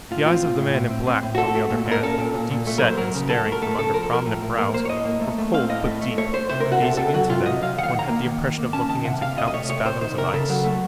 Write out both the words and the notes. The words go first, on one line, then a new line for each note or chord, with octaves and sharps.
The eyes of the man in black, on the other hand, deep-set and staring from under prominent brows, were cold but deep; gazing into them, one had the impression of looking into countless fathoms of ice.
A2 F4
C4 F4
A2
A2
A2
C4
C4
A2
F#4
A3 A4
A3
A#2
A#2
A#4
C#4 A4
A#2
A#2
A#2
A3
A#4
F#3 C5
F#3 A#4
C#3
F#3 A4
A3
A#4
A3 A4
C#3 A4
F3 A#4
A4
F3 A#4
A2
A2
A#3 A#4
A#3 C5
C#5
A2 D#5
A#3
A3
A3
C4 F5
A2 D#5
A3
A3
A3 C#5
A3 C5
C3 C5
C3 A#4
F#4
C3 A4
C3 A4
F#3 F#4
C3 F4
C3 D#5
F#3 F5
D#3 F#5
F5
F#5
D#3
A#5
A#3
D#3
D#3
A#3
C#4 A5
D#3 A5
C3 F#5
C3 F5
C3 D#5
D#5
A3 C#5
C3 C#5
C3 C5
D#3 C5
C3 A#4
C#3 A4
F#3
A3